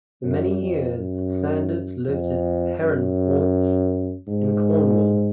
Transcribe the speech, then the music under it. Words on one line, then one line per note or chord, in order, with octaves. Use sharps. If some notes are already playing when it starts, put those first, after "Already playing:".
For many years Sanders lived at Perranporth in Cornwall.
F#2
F2
F#2
F2
F#2
G#2